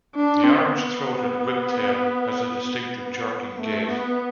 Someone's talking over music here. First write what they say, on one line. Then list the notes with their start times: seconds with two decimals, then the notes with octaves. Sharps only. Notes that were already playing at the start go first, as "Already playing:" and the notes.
The orange-throated whiptail has a distinctive, jerking gait.
0.16 D4
0.44 C4
0.73 B3
2.74 B3
3.61 A3
3.89 B3